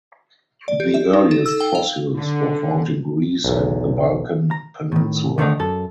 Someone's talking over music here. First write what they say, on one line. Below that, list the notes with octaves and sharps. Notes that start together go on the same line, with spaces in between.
The earliest fossils were found in Greece and the Balkan peninsula.
D5
G4
E5
D#4
A4
E6
G5
F5
D3
B1 E2
A#5
A2 D#3
D3 D#3 A3 B3 D4 D#4
F#2 A4